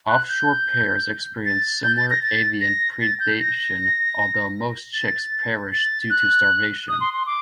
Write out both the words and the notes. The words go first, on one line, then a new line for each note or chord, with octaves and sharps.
Off shore pairs experience similar avian predation although most chicks perish due to starvation.
F#6
G6
A6
G6
A6
A#6
A6
A#6
A6
G6
A#6
A6
A6
F#6
D#6
C6
C6
D6